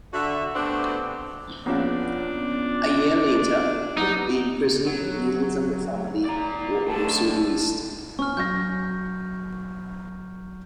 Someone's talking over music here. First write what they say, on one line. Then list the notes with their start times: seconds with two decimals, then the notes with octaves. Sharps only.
A year later, the imprisoned males of the family were also released.
0.13 D3 F#4 E5
0.54 A3 B3 C4 D4 F#4 G4
1.66 A#1 B3 C#4 D4 F4 F#4
3.97 F#3 G3 D#4
4.87 F#3
6.25 D5 A#5
6.88 A2 D3 A5
8.19 C#4 C#6 F6
8.37 F#3 C#6 G6 A#6